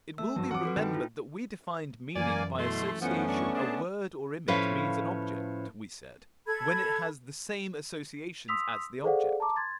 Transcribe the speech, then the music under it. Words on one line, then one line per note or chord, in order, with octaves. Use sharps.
It will be remembered that we defined meaning by association a word or image means an object, we said, when it has the same associations as the object.
A3 E6
G2 F3 F#3 F#4
E3 F#3 C4 F#5 D6
F#4 A4 B4
G2 D#3 D#4 G5 B5
E4 F4
F#2 E3 A#3 D5 G#5
B2 A3 C6
F3 A3 B3 C#4 F#5
D4 C#6
D4 G#4 A5
A2 F3 C#4 B4 E5 F5
A4 B5 G#6
C6 D#6 E6 B6 F7
G#4 A4 C5 D5 F5 F#5
A5 A#5 D6
C6 G#6 A6